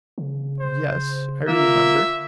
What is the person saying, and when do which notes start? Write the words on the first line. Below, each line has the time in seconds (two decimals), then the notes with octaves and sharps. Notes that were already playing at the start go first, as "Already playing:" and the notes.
"Yes, I remember."
0.18 C#3
0.60 C5
1.48 D3 A#3 F4 E5